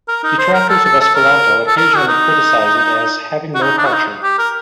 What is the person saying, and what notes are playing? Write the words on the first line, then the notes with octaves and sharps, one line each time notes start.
Detractors of Esperanto occasionally criticize it as "having no culture".
A#4
D#4
C5
A#4
A4
A4
A4
A#4
A4
A#4
F#4
D#4
F#4
D#4
D4
F#4
D#4
G4
A#4